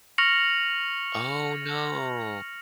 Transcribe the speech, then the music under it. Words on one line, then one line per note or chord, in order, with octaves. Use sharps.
Oh, no.
C#6 F6 A#6 C#7 F7 F#7